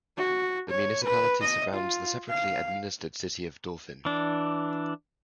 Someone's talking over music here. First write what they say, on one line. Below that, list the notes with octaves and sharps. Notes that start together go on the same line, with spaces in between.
The municipality surrounds the separately administered city of Dauphin.
F#4
C#5
B4
D#5
F4
F5
E3 D4